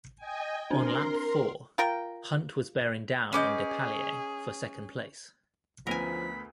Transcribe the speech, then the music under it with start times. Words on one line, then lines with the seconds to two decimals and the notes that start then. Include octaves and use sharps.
On lap four, Hunt was bearing down on Depailler for second place.
0.17 D#5 G5 G#5
0.71 C4 D4 A#4 C5 C6
1.78 F4 A#4 G5
3.33 C#4 G#4 B4 D#5 D6 G6
5.87 D2 F3 B3 C#4 A#4 G#5 B5 D#7